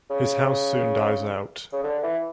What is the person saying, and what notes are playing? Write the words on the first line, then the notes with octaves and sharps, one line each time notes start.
His house soon dies out.
C#3
C#3
D3
E3